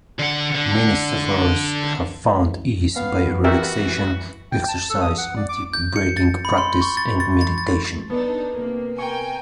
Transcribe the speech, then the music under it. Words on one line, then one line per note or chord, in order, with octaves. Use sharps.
Many sufferers have found ease by relaxation exercises, deep breathing practice and meditation.
D3 F#5
D3
B3 C#4 F5
E3 F#4 G4 A#4 E5
G5
A5
A4
D#6
F#5
D5
D6
G6
C#7
A6
B5
C6
C#6
A6
A6
A6
A6
B3 D4 D#4 A4
C3 A#3
A#4 G5 G#5 C#6